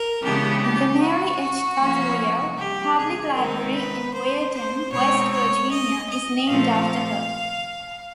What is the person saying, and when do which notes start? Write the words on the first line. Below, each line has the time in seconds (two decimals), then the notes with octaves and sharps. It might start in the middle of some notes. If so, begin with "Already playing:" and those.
The Mary H. Weir Public Library in Weirton, West Virginia, is named after her.
Already playing: A#4
0.22 C#3 E3 G#3 B3 D4 G4
0.62 G4
1.01 F#4
1.78 F3 A#3 C#4
2.57 G4
2.97 G#4
3.35 D#3 G#3 C4 D#4 A#4
3.74 B4
4.14 C5
4.53 C5
4.91 B2 G#3 C4 D#4 C#5
5.31 C#5
5.70 D#5
6.09 D#5
6.48 A#2 F3 A3 C4 F5